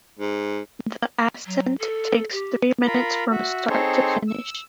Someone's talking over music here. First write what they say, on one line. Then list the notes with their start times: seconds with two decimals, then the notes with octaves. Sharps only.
The ascent takes three minutes from start to finish.
0.19 G#2
1.46 F#3
1.79 A4
2.32 G4
2.87 F4 A#4 B5
3.31 F#4 E5
3.70 C4 D#4 G#4 A4 C5 C#5
4.28 E6